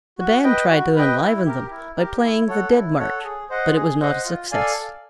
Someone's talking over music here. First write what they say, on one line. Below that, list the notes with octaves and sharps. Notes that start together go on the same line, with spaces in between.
The band tried to enliven them by playing the "Dead March," but it was not a success.
F#4
B4 D#5 G5
F#4
B4 D#5 G5
E4
G4 A#4
E4
G4 A#4
E4
A4 C#5 F#5
E4
A4 C#5 F#5
G#4
C5 D#5 F#5
G#4
C5 D#5 F#5
F4
A4 D5 F5 G#5